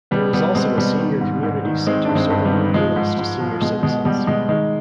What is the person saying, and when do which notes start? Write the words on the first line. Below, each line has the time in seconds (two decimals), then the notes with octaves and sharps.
There is also a senior community center serving noon meals to senior citizens.
0.11 B2 G3 B3
0.33 B2 G3 B3
0.55 B2 G#3 C4
0.78 B2 G3 B3
1.00 D#3
1.21 G#2
1.43 G#2
1.65 D#3
1.87 D#3 G#3 C4
2.05 G2 D4
2.15 G#3 C4
2.30 G2
2.45 G3 B3
2.53 D#3
2.74 F3 G#3
2.96 G#2
3.19 G#2
3.40 F3
3.62 B2 G#3
3.83 B2 G#3
4.05 B2 G3
4.27 B2 G#3
4.49 D#3 G#3